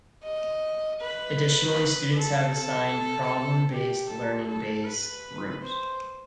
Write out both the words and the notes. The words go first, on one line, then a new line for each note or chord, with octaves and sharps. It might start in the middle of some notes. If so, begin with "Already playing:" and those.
Additionally, students have assigned problem-based learning base rooms.
D#5
B4
A4
A4
G4
A4
A4
B4
C5